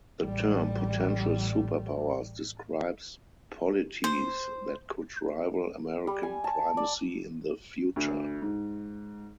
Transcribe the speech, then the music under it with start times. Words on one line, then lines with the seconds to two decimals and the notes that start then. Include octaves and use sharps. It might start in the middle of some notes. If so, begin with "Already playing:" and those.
The term "potential superpowers" describes polities that could rival American primacy in the future.
0.21 A1 G3
4.04 C5
6.07 G3
6.23 G#5
6.44 A5
6.77 D5
7.96 D2
8.42 G#2